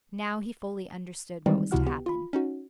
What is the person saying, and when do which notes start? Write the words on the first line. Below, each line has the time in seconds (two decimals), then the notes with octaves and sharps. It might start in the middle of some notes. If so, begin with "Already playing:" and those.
Now he fully understood what was to happen.
1.46 D#3 E3 G3 G#3 C4 D#4
1.71 C#2 C3 E4 F#4 F#5 F6
1.86 B3 G4
2.06 F4 B5
2.33 C#4 D#4 F#4